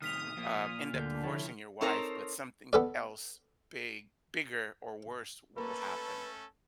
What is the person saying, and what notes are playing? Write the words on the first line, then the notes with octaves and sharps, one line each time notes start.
um, end up divorcing your wife, but something else big bigger, or worse will happen.
A2 C3 D#3 D#6 F6 B6 F7
A#2 F3 A#3 F4
D2 D3 G6
C3 F3 E4 C#5 A5
C4 D#4 A4 A#4 C5 C#5
B3 A4 D5
A3 A#3 C#4 A4 B4 B5